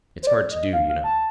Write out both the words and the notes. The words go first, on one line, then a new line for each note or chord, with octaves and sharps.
It's hard to do, you know.
C5
D5
D#5
F5
F5
A5